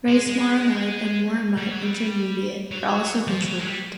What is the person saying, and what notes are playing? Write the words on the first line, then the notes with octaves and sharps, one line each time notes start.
Racemoramide and moramide intermediate are also controlled.
G#3
G#3
G3
F#3
G3
F#3
F3
F#3
G#3
G3